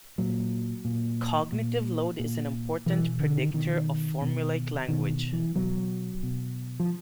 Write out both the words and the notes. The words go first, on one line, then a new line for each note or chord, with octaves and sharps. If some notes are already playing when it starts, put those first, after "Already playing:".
Cognitive load is an important predictor of formulaic language.
A#2 F#3
A#2
A#2
A#2
B2 E3
D3
D#3
B2 D#3
B2
B2 D#3
E3
B2 F#3
B2
F3